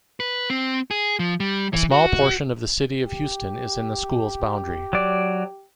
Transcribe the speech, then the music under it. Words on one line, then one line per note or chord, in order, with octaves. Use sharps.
A small portion of the City of Houston is in the school's boundary.
B4
C4
G#4
F3
G3
E3
F#4
G4
F#3 D5